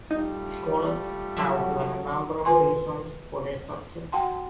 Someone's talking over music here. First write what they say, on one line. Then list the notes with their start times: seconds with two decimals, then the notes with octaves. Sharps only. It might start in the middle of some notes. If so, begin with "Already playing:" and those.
Scholars have given a number of reasons for their success.
0.11 G3 A3 D#4 F4
1.37 F#3 F#4 A4 C#5 E5
2.45 D#3 F4 B4 G#5 C6
4.12 F#4 F#5 G5 A5 C6